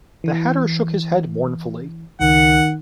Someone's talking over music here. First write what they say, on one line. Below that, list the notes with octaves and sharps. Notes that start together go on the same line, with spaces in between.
The Hatter shook his head mournfully.
E3
C#2 D#3 F#5